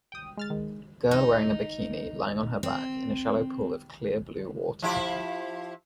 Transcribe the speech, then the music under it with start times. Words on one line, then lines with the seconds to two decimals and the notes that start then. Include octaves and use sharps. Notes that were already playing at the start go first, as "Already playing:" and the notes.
Girl wearing a bikini lying on her back in a shallow pool of clear blue water.
0.12 G5 D#6
0.37 G#3 F6 A6
0.50 D#3 G#3
1.11 D#4
2.63 C4
4.82 F3 E4 G4